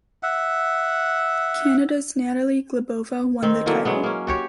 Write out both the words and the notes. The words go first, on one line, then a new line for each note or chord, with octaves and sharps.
Canada's Natalie Glebova won the title.
E5 F#5
D#3 C4
D3 E3 F#3 A#3
F#3 G#3 B3
A#3 C#4
F#4 G4 C#5